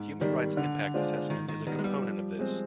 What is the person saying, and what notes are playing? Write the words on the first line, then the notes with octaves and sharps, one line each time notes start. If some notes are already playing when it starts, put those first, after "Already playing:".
Human Rights Impact Assessment is a component of this.
Already playing: G#2
D#3 G3
D3
G#3 D4 F4 C5
G#2 D#3
D#3
D#3 G3 B3 D#4
G#3
G3
F3
G#3 C4